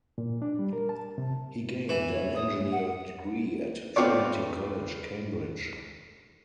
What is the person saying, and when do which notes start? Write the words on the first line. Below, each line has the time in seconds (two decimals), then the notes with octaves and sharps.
He gained an engineering degree at Trinity College, Cambridge.
0.18 A#2
0.42 D4
0.59 G3
0.73 A#4
0.89 A5
1.18 C3
1.89 E3
2.10 C#5
2.35 D#6
2.71 F#5
3.96 A3 B3 C4 F4 C#5 D5